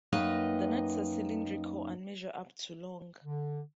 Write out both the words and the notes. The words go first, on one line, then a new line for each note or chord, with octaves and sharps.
The nuts are cylindrical and measure up to long.
F#2 A#3 D#4 B4 D#5 G5
D3